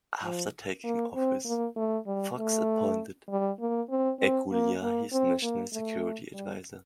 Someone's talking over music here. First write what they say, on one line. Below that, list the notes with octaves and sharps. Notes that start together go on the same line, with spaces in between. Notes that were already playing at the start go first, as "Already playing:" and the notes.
After taking office, Fox appointed Aguilar his national security advisor.
F3
A#3
C4
A#3
A3
G3
A3
G3
A#3
C4
C4
A#3
A#3
C4
A#3
A3
G3